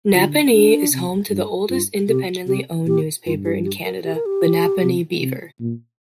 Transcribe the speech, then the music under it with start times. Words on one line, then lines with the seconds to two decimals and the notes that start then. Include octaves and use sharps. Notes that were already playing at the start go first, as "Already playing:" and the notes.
Napanee is home to the oldest independently owned newspaper in Canada, "The Napanee Beaver".
0.13 D3 F4
0.53 D4
0.92 C3
1.30 G2
1.69 G2 F4
2.08 C3 G4
2.47 C3 G4
2.86 A#2 G4
3.26 G2 F4
3.45 G4
3.64 G4
3.85 A#4
4.04 G4
4.15 A#4
4.26 G4
4.82 C3
5.20 C3
5.60 A#2